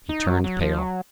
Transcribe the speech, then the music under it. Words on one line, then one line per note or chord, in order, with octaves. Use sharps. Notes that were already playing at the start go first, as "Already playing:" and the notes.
He turned pale.
D#4
F#3
F#3
F3
F#3